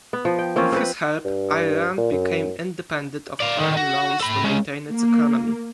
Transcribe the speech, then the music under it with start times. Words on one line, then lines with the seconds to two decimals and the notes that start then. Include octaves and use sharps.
With his help, Iran became independent of foreign loans to maintain its economy.
0.13 B3
0.25 F3
0.38 G5
0.56 A#3 C4 C#4 F4
0.72 C4 B4
1.25 G2
1.98 A#2
2.12 F#2
3.40 D5 F5
3.58 D3 D#3
3.77 F#4
4.21 A4 B5
4.44 G#3 C#4
4.92 A#3